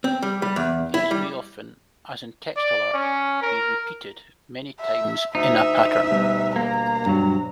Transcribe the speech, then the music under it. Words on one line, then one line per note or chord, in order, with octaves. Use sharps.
These may often, as in textile art, be repeated many times in a pattern.
C4
G3
G3
E2
E4
G3
D5
C#4
A#4
E5
D2 D#4 E5
B2 D3 G3
A#3 A#5
G2 F#3